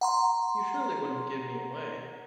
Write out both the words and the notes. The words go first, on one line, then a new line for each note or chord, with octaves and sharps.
You surely wouldn't give me away?
F#5 A#5 C6